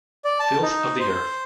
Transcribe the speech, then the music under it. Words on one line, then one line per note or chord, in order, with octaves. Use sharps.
Filth of the earth!
D5
A5
D#4
C5